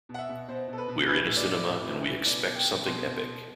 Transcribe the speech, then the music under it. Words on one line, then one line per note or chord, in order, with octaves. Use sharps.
We're in a cinema, and we expect something epic.
B2
F#5
E5
B2
B2 C5
B2 A4
B4
B2
E3 B4
A2
D5
A2
A2
E3
E3
B2 D5
B2
G5
B2
B2 C6
B2
B2